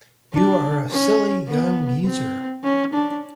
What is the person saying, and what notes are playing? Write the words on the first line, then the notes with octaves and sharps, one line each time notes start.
You are a silly young geezer.
D4
C#4
B3
C4
C#4
D4